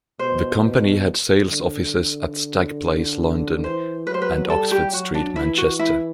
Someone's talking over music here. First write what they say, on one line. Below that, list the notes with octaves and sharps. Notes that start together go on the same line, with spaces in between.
The company had sales offices at Stag Place, London and Oxford Street, Manchester.
B2 C5
B2
D3
E3 C5
F#3 B4
C5
B4
G3 A4
G4
F#3 F#4
D4
E3 E4
F#4
E4